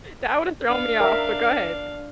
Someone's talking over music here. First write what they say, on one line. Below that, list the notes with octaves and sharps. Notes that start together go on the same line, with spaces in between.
That would have thrown me off, but go ahead.
D4 F5
A#4 E5